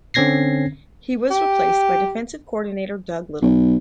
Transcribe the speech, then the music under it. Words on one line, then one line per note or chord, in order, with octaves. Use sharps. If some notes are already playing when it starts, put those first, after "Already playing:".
He was replaced by Defensive Coordinator Doug Lytle.
D3 C4 C#4 G#6 A#6 C7
G4
B1